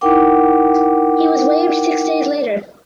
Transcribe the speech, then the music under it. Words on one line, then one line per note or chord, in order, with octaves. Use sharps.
He was waived six days later.
D#4 E4 A#4 F#5 G5 D6